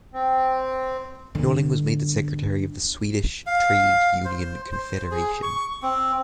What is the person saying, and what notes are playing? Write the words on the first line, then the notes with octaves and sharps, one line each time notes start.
Norling was made the secretary of the Swedish Trade Union Confederation.
C4
G1 D3
F5
C5
C5
G#4
C#6
C4